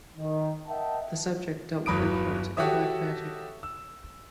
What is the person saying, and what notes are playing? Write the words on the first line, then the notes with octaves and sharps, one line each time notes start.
The subject dealt with occult and black magic.
D#3
A#4 D#5 E5 F#5 G5 A5
G1 E2 F#3 B5 D#6 D7
F#4 G4 A4 C#5 E5 D#6
E6